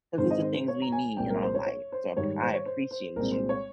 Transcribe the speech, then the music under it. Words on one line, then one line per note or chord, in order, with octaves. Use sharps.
'cause these are things we need in our life, so I appreciate you.
G#2 D#3 G#3 C4 C5
D#5
C5
C5
C#5
A#5
G#5
C2 A#2 G#3 C4 G5
A#4
C5
C#5
C#5
C5
G#2 D#3 G3 C#5
C5
C#5
C5
C5
C2 A#2 G#3 C4 A#4
C5
C#5